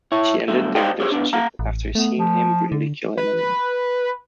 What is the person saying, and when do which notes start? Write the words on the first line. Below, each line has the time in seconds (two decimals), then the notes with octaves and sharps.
She ended their relationship after seeing him brutally kill an enemy.
0.12 E4 C#5
0.48 G2 B2 D3 F#3 A3
0.75 G4 C5 D5 D#5 F5 G5
1.00 G4 G#4 C5 C#5
1.12 B2 B3 D4
1.33 A#3 F5 F#5 A#5
1.59 A1
1.95 A3 B3
2.18 F3
2.72 D3
3.18 B4